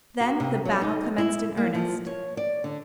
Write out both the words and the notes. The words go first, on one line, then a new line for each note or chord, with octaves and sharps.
Then the battle commenced in earnest.
F#4
C3
F#3
D#4
E4
A#3
F3
C#5
D5
D3